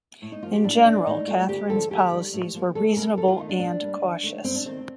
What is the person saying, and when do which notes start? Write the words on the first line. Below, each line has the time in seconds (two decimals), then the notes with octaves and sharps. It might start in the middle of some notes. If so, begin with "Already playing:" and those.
In general, Catherine's policies were reasonable and cautious.
0.22 A2
0.32 D#4
0.43 F3 A#3 F4
0.53 G4
0.64 A2 D4
0.85 G3 A#3 D4
1.06 A2 D#4
1.27 A3 F4
1.48 D2 G4
1.69 D3 F3 A#3 A4
1.91 D#2 G4
2.12 D#3 G3
2.33 A2
2.54 F3 A#3
2.75 D2 A4
2.96 C3 G3 A#3 A#4
3.17 D#2 A4
3.28 F4
3.38 D#3 A3 D#4
3.49 D4
3.59 A#2 D4
3.81 G3 A#3
4.02 D#2
4.23 D#3 A3
4.44 G2 C4
4.55 D4
4.65 D#3 A3 C4